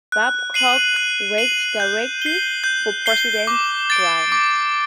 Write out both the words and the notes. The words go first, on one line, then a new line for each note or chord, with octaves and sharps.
Babcock worked directly for President Grant.
F#6
C7 D#7 F#7
F#6
C7 D#7 F#7
G6
C7 G7
G6
C7 G7
D6
A6 D7
D6